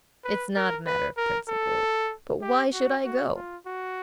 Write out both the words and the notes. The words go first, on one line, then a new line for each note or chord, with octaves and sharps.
"It's not a matter of principle, but why should I go?"
B4
A#4
B4
A#4
A4
G4
F#4
F#4
F4
F#4